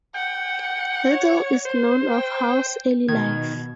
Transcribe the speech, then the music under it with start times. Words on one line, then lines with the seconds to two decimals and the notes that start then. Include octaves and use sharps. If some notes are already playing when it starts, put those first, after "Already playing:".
Little is known of Hall's early life.
0.14 F#5 G5
1.11 C#5
1.65 C5
2.11 G5
3.09 B2 D#3 G#6